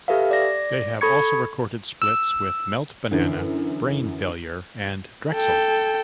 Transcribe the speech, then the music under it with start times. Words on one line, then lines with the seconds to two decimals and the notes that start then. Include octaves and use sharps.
They have also recorded splits with Melt-Banana, Brain Failure, and Drexel.
0.08 G4 A4 B4 E5 F5
0.31 D5 A#6
1.01 A4 B5 C#6 G#6 C#7
2.02 E6
3.11 F#2 D3 E3
5.34 A4 G5